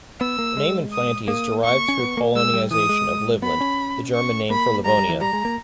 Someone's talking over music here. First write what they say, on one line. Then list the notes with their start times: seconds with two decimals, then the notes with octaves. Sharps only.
The name "Inflanty" is derived through Polonization of "Livland", the German name for Livonia.
0.21 B3 E6
0.39 A#3
0.57 G#3
0.93 D#6
1.28 A#3 D#6
1.64 C#6
1.88 C#4
1.99 B3
2.17 A#3
2.35 G#3 E6
2.53 G3
2.71 E3 D#6
2.89 G#3
3.42 B3 B5
3.61 C#4
4.14 C#6
4.50 A#3 B5
4.85 G3 A#5
4.97 G3
5.09 E3
5.21 G3 A#5
5.33 G#3
5.45 A#3